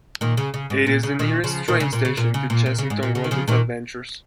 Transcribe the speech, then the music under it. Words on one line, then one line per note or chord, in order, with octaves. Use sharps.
It is the nearest train station to Chessington World of Adventures.
A#2 D#3
C#3
C#3
G#2
A#2
C#3
A#2 D#3
C#3 F3
A#2 D#3
C#3
A#2
C#3
A#2
C#3
A#2
A#2
C#3
G#2
A#2
C#3
D#3
C#3 F3
A#2 D#3